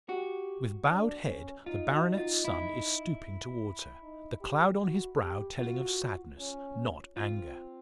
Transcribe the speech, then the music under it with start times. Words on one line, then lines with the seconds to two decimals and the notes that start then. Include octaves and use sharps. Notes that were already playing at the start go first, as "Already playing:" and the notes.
With bowed head the baronet's son is stooping towards her, the cloud on his brow telling of sadness--not anger.
0.09 F#4 G4
0.87 D4
1.27 C#4
1.66 D#4 F4
1.92 F#4
2.18 F4
2.44 E4
4.03 D#4
4.41 G4
4.81 F#4
5.20 G4
5.59 F4 F#4
6.39 C#4
7.17 C4 F4